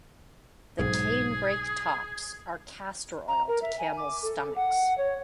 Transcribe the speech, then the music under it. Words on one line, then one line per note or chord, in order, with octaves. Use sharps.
The canebrake tops are castor-oil to camels' stomachs.
B1 G#2 G#4
A#5
A#4
E5
G#5
D6
A4
F#5
C#5